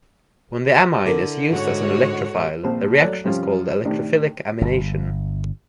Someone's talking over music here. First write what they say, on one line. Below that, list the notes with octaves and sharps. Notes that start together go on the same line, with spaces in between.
When the amine is used as an electrophile, the reaction is called electrophilic amination.
D3 E4 A#4
G#2 F#4 C#5
A#1 C4 C5
F#3 A3 C#5 D5 F#6
G2 C3 F3 C#4 F4
A2 C3 D#3 D4
G1